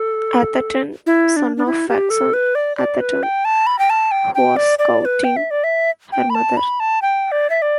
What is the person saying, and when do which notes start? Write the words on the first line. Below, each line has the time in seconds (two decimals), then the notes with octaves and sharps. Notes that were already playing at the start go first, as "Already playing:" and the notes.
Atherton, son of Faxon Atherton, who was courting her mother.
Already playing: A4
1.06 E4
1.36 D4
1.57 D4
1.66 E4
1.89 G4
2.10 A4
2.34 B4
2.55 D5
2.77 D5
3.00 B4
3.23 G5
3.45 A5
3.67 B5
3.79 G5
3.90 A5
4.11 G5
4.35 G5
4.56 D5
4.79 D5
5.01 D5
5.05 B4
5.24 G5
5.36 E5
5.51 D5
5.64 E5
6.12 G5
6.30 B5
6.35 A5
6.57 B5
6.80 A5
7.02 G5
7.32 D5
7.50 E5
7.62 D5